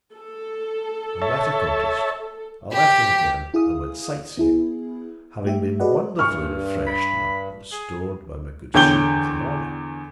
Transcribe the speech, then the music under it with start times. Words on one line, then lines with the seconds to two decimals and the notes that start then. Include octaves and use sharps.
And that accomplished, I left him again and went sight-seeing, having been wonderfully freshened up and restored by my good sleep of the morning.
0.14 A4
1.22 C#5 E5 A5
2.72 G4 G5
3.54 E4 G#4 F5 D#6
4.37 B3 E4 G#4
5.45 A3 G4 E5
5.80 F#4 G#4 B4 D5 D#5 F#5
6.19 G2 C#6 F6
6.87 B5
7.72 G#4
8.74 E2 D3 C#5 G5 G6 G7